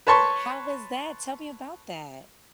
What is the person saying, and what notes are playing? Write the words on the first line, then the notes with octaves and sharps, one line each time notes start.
How was that, tell me about that.
B4 C#5 A5 C6 C#6